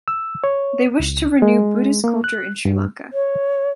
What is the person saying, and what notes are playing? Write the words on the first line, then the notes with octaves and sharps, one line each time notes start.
They wished to renew Buddhist culture in Sri Lanka.
E6
C#5
C#2
G#3
A#3
F#6
G2
C#5